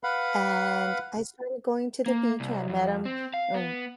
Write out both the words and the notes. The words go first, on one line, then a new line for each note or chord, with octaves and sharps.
and I started going to the beach and I met him, and,
B4 F5 F#5 B5
A#3
C2
F2
C4
F5
B3